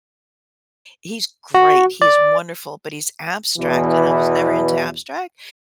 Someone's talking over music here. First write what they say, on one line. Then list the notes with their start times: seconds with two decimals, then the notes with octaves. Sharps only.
he's great, he is wonderful, but he's abstract, and I was never into abstract.
1.54 F#4
2.02 D5
3.58 E2 B2 E3